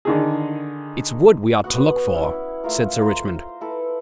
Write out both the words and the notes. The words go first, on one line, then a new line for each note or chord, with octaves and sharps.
"It's wood we ought to look for," said Sir Richmond.
D3 D#3 G#4
B3 F#4 F#5
C#4 E4
A3 F4 A#4
C5 A#5 C6
E4 A4 B4